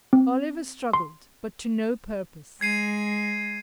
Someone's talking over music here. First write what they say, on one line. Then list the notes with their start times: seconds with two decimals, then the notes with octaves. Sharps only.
Oliver struggled, but to no purpose.
0.13 C4
0.93 C6
2.61 G#3 G#6 C7 D#7